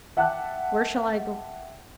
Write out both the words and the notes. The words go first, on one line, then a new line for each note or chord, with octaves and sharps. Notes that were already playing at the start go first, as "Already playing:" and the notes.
Where shall I go?
E5 F#5 G5 A5 D6 F#6